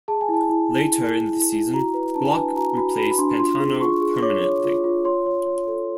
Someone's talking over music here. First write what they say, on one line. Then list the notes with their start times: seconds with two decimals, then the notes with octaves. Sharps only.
Later in the season, Glock replaced Pantano permanently.
0.08 G#4 A5
0.21 G#5
0.29 E4
0.34 A5
0.50 E4
0.70 E4
0.92 E4
1.12 E4
1.33 E4
1.53 E4
1.74 F#4 A#5
1.94 B4
2.15 D4 A5
2.24 G#5
2.31 A5
2.36 B4
2.57 F#4 A#5
2.77 F#4 B5
2.98 F#4 B5
3.11 B5
3.18 D4 C6
3.39 F4 C6
3.60 G#4
3.81 F4 C#6
4.01 G#4
4.22 C#5 D6
4.43 C#5
4.64 F4
4.84 F4
5.05 C#5 C6
5.26 C#5
5.46 C#5
5.67 A4